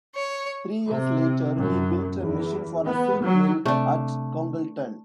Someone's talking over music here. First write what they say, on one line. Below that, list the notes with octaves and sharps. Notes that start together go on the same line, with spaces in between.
Three years later he built a machine for a silk mill at Congleton.
C#5
C3
F#2
E2
B3
F#3
C3 A3 D4